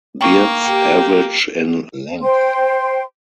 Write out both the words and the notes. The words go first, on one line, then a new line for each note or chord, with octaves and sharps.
Beards average in length.
A#3 G5 C#6
G4 G5
C5 G5 C6